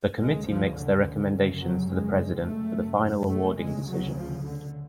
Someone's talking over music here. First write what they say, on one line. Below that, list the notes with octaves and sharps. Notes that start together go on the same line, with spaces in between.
The Committee makes their recommendations to the President for the final awarding decision.
D2 C#3 G#3
F3
D3
D3
F#2 C#3
F#3
G#3
F#2 C#3 A3
A3
D2 C#3 G#3
F#3
F3
D3